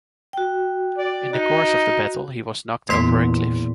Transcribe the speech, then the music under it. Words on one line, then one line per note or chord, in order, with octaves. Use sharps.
In the course of the battle he was knocked over a cliff.
F#4 G5
D5
D#4 F#4
E2 A#2 A#3 C6 B6